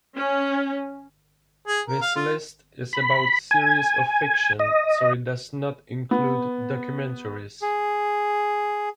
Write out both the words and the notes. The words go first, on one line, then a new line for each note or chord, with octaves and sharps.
This list is about series of fiction, so it does not include documentaries.
C#4
G#4
A#4
F5
F4
B5
G#5
D#5
B3
G#4